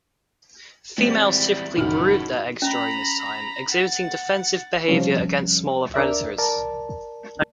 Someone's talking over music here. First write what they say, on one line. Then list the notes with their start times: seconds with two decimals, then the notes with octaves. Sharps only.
Females typically brood their eggs during this time, exhibiting defensive behavior against smaller predators.
0.98 E2 G3 G#3 C4
1.77 F#1 A2 D#3 D#4 F#4 B5 F6
2.62 C#4 A#5 B5
3.71 F#5 A6
4.88 C3 F3 G3 C#4
5.94 D4 A#4 D5 E5
6.38 A#4 D5 A5